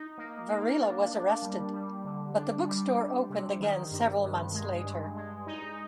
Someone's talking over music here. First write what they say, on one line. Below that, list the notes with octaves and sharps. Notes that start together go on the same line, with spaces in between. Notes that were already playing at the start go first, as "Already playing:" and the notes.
Varela was arrested, but the bookstore opened again several months later.
Already playing: D#4
A#3
A#3
D4
D4
G3
G3
D3
D4
G3
G3
C3
D#3
G2
G2
G#3
G2
G#3
D#4